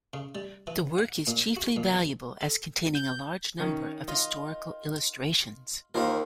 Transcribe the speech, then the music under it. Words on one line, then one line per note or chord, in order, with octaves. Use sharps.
The work is chiefly valuable as containing a large number of historical illustrations.
C#3
G3
E3
F#5
A#2
F#4
A#2
E2
A4
G6
D#3 C#4
F4 D#5
D#2 A#3 F4 A#4 C5 F5